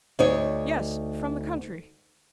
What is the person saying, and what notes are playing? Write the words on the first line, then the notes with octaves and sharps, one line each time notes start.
Yes--from the country.'
D2 D#4 C#5